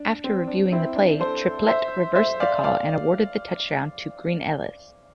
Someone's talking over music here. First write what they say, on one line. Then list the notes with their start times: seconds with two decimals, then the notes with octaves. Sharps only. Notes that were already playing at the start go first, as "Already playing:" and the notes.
After reviewing the play, Triplette reversed the call and awarded the touchdown to Green-Ellis.
Already playing: D4
0.24 C4
0.47 D4
0.72 C4 E4
0.96 D4
1.20 A4 C5
1.68 C5 E5
2.15 C5 E5
2.40 D5 F5
2.64 D5 F5